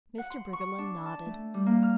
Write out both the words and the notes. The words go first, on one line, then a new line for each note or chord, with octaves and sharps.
Mr. Briggerland nodded.
F#5
C6
C#6
D4
A5
A3
G3
A#3
F6